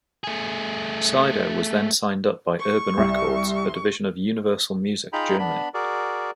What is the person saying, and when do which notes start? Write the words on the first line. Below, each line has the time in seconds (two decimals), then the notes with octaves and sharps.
Sido was then signed up by Urban Records, a division of Universal Music Germany.
0.24 A3 G#4
2.59 C#6
2.98 C2
5.13 D#4 F4 G#4 G5 A#5 B5
5.39 B3 D4 B5
5.74 F#4 G#4 A#4 D5